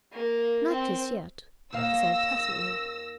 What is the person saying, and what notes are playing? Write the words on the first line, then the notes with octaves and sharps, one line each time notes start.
"Not just yet," he said pleasantly.
A#3
C4
D#2 D#3 F5 E6 A#6